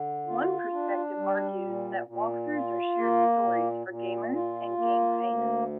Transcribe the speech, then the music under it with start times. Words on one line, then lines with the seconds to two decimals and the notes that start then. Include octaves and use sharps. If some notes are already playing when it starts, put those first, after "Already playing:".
One perspective argues that walkthroughs are shared stories for gamers and game fans.
Already playing: D3
0.27 F4
0.72 D4
1.18 G3
1.62 A#2
2.07 A#2
2.53 F4
2.97 A#3
3.43 A#2
3.87 A#2
4.33 F4
4.78 A#3
5.22 D2